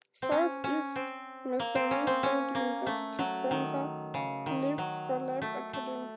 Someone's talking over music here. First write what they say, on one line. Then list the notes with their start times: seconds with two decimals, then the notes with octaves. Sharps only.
Southeast Missouri State University sponsor Lift For Life Academy.
0.22 C4
0.32 C#4
0.64 C#4
0.96 C4
1.60 A#3
1.75 C4
1.91 C#4
2.07 C4
2.23 C#4
2.55 A#3
2.87 A3
3.19 F#3
3.51 D#3
4.14 C#3
4.46 D#3
4.78 F#3
5.42 A3
5.73 A3